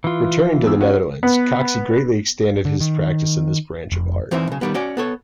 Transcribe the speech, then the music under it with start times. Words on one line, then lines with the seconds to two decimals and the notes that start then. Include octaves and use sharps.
Returning to the Netherlands, Coxie greatly extended his practice in this branch of art.
0.04 E3 F4
0.64 E2 E6
0.80 C#4 F#4
1.23 B3
2.65 D3
2.80 D#3
3.92 F1
4.31 E2 E3 C4 D#4 E4 E5
4.48 B1 C#3
4.61 D#3 G3 B3
4.74 C#4 F#4 D5
4.97 B3 A4 C#5